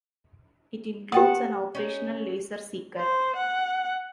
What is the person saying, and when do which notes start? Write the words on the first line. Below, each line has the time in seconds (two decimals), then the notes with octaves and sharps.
It includes an operational laser seeker.
1.12 G4 F#5 G5 A5 D#6
1.75 C#4 D#4
2.98 C5
3.37 F#5